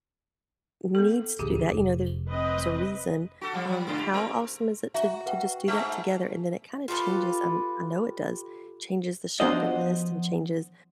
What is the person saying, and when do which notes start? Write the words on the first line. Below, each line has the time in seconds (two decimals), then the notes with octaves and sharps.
needs to do that, you know, there's a reason, um, how awesome is it to to just do that together, and then it kinda changes, um, I know it does, changes the shopping list and changes,
0.95 B3 A4
1.39 D#1 A1 D2 G4 G#4
1.71 F1
2.29 C4 B4 D#5
3.41 F#4 A4
3.53 F3 G3
3.69 F#3
3.87 G#2 D3
3.98 G4
4.13 G#3 C4 A#4
4.94 F#4 E5 A#5
5.26 B4 F#5 G5
5.68 G#2 A3 E5
6.88 F4 G4 A4 B4
9.40 F3 B3 D4 F#4 C5 D#5